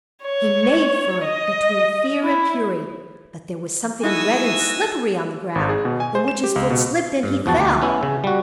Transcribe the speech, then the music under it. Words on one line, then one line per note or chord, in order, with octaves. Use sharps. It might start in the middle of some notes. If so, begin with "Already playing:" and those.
He made for it between fear and fury, but there was something red and slippery on the ground, in which his foot slipped, and he fell.
C#5
D#5
E4
D#4 E4 F#4 A4 G#5 D#6 E6
G#1
G#4
B2
G#5
C5
E7
G4
C#2
B2
G2
E2 F3 F#4 A5
D2
B3 C#4 E4
C#3
G3 F#4